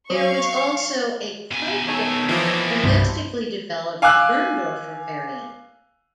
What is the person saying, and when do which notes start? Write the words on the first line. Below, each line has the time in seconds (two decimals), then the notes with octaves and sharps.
There was also a quite different, domestically developed Berndorfer variant.
0.10 F#3 F#4 F5 C#6
1.51 B2 G#5
1.87 D#4 A4 C#5
2.29 E3 F3 A#3 B3
2.83 C2 G2 D4 E4 C5
4.02 F5 G#5 D6 E6 F#6